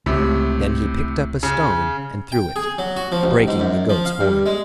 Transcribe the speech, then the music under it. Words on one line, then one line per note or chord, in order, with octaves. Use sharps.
Then he picked up a stone and threw it, breaking the Goat's horn.
C#2 A2 C3
C#3
G5
G#4
F#3
F#4
F3
A1
G#2
F#2
F3
F5
G2
G#3